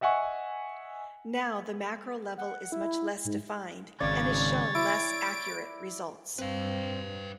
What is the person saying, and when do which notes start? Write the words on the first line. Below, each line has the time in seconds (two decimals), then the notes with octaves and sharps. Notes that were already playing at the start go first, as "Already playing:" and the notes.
Now the macro-level is much less defined and has shown less accurate results.
0.01 D#5 E5 F#5 G#5 C#6
2.38 F#5
2.72 E4
3.25 G#2
4.00 G#1 C#3 C#5 D5 A6
4.75 E4 D7
6.38 G2 G3 C4 B4 F5